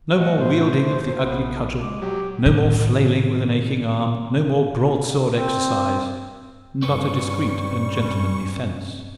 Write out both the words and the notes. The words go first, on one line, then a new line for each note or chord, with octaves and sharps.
No more wielding of the ugly cudgel; no more flailing with an aching arm; no more broadsword exercise, but a discreet and gentlemanly fence.
B2 A3 D#5 F#5
A2 C5
F#2
A#1 B3
G#3 D6
F#3 G4
A2 D#3
C4
G2 G3 C4 C#4 B4 C#6